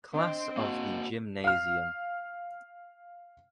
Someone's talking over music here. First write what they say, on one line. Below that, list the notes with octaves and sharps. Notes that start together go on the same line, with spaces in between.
Class of the gymnasium.
C4 D4 D#5
A#3 F#4 F#5
F5 F6